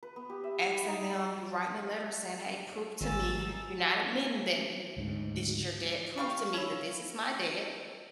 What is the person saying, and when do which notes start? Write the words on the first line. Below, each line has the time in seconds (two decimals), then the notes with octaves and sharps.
asking them you writing a letter saying, "Hey, prove to me you're not admitting that you this is your debt. Prove to me that this is my debt."
0.03 B4
0.16 B3
0.30 G4
0.44 E5
0.62 E4
0.73 B5
0.88 D#4
3.01 G#1 G#3 C#4 E6 A6
3.38 F3 F#3 D#4
4.97 D2 G#2 C#3
6.18 G3 F5 C#6
6.54 C#4 E4